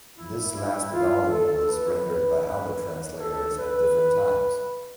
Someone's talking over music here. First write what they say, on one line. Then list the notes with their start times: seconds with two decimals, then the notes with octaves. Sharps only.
This last volume was rendered by other translators at different times.
0.17 E4
0.54 E4
0.93 F4
1.30 A4
1.68 B4
3.20 A4
3.58 B4